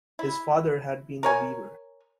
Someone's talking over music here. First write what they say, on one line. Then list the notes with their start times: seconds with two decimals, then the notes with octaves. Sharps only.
His father had been a weaver.
0.19 E4
1.23 A#4 C#5 G#5